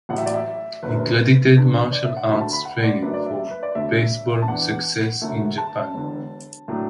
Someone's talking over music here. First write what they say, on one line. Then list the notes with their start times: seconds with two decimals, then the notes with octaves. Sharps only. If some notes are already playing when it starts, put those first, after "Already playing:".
He credited martial arts training for baseball success in Japan.
0.09 A1 A2 F#3 F#5
0.18 E5
0.26 D5
0.34 E5
0.83 F#1 F#2 D3 B4
1.56 E2 D3 B3 D4
1.92 D5
2.04 E5
2.17 F#5
2.29 D2 D3 A3 B5
2.41 A5
2.53 B5
2.65 F#5
2.84 D5
3.02 F#1 F#2 F#3 A3 D4 B4
3.14 D5
3.26 E5
3.38 E5
3.50 B4
3.63 D5
3.75 E1 D2 D3 A3 E5
4.42 A5
4.48 E2 E3 D4 F#5
5.22 F#2 D3 A3
5.58 A5
5.94 E1 E2 D3
6.68 A2 F#3 A3 D4